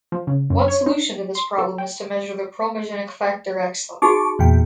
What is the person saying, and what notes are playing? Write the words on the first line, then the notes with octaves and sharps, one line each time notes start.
One solution to this problem is to measure the chromogenic factor X level.
F3
C#3
F#2
C#5
D#4
C6
A4
G5
D#4 F#4 G#4 A5 C#6 D6
E2 A#2 G5